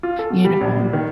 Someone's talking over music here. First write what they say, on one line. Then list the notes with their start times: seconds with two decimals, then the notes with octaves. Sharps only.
You know?
0.03 F4
0.19 A4
0.30 B2
0.45 G3
0.61 A#1
0.80 A#2
0.93 D#3